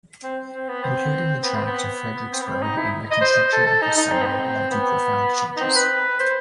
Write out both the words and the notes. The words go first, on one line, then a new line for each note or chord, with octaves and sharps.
Including the track to Frederiksberg in the construction of the subway led to profound changes.
C4
C4
B3
C4
B3
C4
B3
C4
B3
C4
D#4
E4
D#5
C5
A4
A4
D#4
D#4
C4
B3
C4
B3
D#4
C4
B4
C5